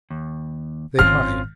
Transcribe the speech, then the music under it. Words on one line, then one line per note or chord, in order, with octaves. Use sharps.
They hide.
D#2
G#1 D#3 C4 C#4 F4 F6